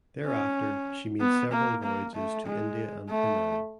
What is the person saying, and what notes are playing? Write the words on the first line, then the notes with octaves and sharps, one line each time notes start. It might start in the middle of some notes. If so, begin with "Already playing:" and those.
Thereafter she made several voyages to India and Penang.
C#4
B3
A#3
A#3
A3
G#3
A3